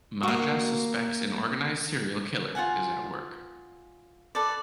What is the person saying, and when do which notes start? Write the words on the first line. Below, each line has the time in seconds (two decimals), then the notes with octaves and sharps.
Maja suspects an organized serial killer is at work.
0.23 A#3 F#4
2.55 F4 F#4 F#5 G#5
4.35 A4 B4 D5